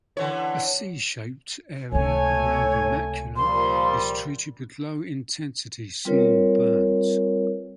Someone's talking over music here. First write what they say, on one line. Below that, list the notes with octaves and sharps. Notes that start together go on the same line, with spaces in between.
A 'C' shaped area around the macula is treated with low intensity small burns.
D3 E3 C#5
C#2 C3 A3 C#5 G#5
A#2 F3 G3 C6
G3 C4 F4 A#4 B4 C#5